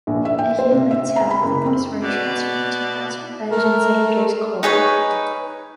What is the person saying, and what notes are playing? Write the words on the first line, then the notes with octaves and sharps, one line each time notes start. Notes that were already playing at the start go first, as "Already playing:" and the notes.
A year later the boys were transferred to Pasir Panjang Secondary School.
A#1
E5
G5
C5
C3
E5
A#5
B5
F#1
C4
B2 D5
A3 A#4
D#4 G#4 B4 C#5